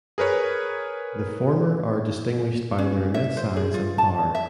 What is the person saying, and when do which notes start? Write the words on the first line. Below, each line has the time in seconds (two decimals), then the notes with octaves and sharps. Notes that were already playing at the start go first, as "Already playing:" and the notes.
The former are distinguished by their immense size and power.
0.18 G#4 A#4 B4 C#5
2.78 C#4
3.14 E5
3.37 C5
3.56 G#4
3.74 F4
3.98 A5
4.35 E5